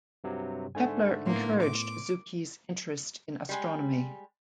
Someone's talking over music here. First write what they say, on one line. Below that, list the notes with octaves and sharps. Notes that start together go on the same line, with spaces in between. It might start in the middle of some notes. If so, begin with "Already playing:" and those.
Kepler encouraged Zucchi's interest in astronomy.
G2 C3 F#3
G#2 D3 A3 G#5
A2 A#3 B3 C6
D6
G3 G#3 G#5